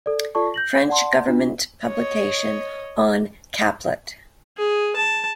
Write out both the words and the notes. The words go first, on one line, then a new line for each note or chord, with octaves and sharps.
French government publication on Caplet.
A4 D5
F4 A4 D5 A5 C#6
G6 A#6 F#7
D5 F#5 A5 C6
D4 F4
C#5 D#5
G#4
A5